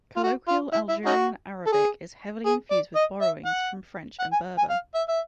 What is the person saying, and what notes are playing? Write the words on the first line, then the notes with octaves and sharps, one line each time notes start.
Colloquial Algerian Arabic is heavily infused with borrowings from French and Berber.
F4
F#4
F4
E4
E4
C#4 D#4 F#4
A4
G#4
G#4
D5
D#5
E5
F#5
F#5
G#5
G#5
F5
E5
E5